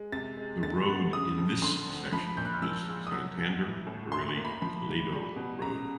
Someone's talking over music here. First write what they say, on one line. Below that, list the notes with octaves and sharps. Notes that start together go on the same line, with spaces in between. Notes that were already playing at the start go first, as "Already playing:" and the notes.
The road in this section is Santander–Barili–Toledo Road.
Already playing: G#3
C3 A6
G#3
D3 A6
B3
C#3 D#6
F2
D3 C6
D2
F3 B5
A#2 G6
F#6
F6
F3 E6
G#2
D#6
F#3 E6
B2
E3
A2
D3 C6
C6
A#3
B5
F3 B5
G#2
G3
B2
C#3 A#5